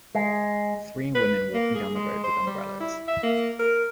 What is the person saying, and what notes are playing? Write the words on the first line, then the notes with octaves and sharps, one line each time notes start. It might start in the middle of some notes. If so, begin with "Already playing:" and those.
Three women walking down the road with umbrellas.
G#3
B4
A#3
G#4
G#3
C5
G3
E4
E5
A#3
A#4